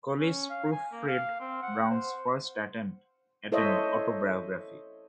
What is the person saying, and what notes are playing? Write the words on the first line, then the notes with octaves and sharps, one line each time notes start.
Collis proofread Brown's first attempt at an autobiography.
C#4
F5
G#5
A#3
F5
C4
F#5
C5
E4 A4 C5 C#5 D#5 E5